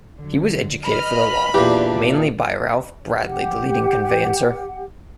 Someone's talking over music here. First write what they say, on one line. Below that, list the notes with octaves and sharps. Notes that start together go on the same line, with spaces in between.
He was educated for the law, mainly by Ralph Bradley the leading conveyancer.
D3 F#3
B4 D#5 B5 F6
E2 A#2 D4 G4 A#4 D5
G4 F#5